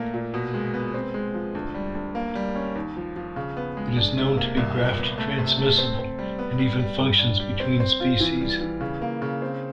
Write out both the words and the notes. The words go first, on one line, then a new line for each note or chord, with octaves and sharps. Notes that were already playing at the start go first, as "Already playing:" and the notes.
It is known to be graft-transmissible, and even functions between species.
Already playing: A#2 A3 A#3
A#2
B2
G#3
B3
C4
G#3
F3
D2
G3
D2
A#3
G3
C#4
D#2
F3
F3
C#3
B3
G#3
D4
C3
A#3
C2
A#2
B3
A3
C3
A3
C4
C4
G3
B3
G3
G3
G3
D4
G3
C4
C4
F4
E3
G3
E3
C#3
A#3
C#3
C4